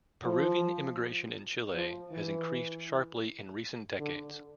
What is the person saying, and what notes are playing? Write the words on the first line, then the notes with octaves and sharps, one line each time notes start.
Peruvian immigration in Chile has increased sharply in recent decades.
F3
F3
E3
D3